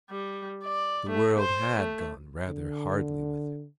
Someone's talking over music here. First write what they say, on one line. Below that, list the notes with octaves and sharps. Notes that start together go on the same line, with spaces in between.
The world had gone rather hardly with her.
G3
D5
A3
C5
A3
D3